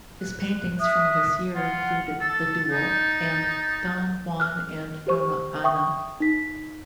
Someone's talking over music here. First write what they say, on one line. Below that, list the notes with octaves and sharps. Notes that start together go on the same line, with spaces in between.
His paintings from this year included "The Duel" and "Don Juan and Dona Anna".
F#6
E5 D#6 F#6
F4 F#5
A4 A6
D#4
F6 F#6
G4 C5 C#6
E5 G5 C#6 D#6
D#4 B6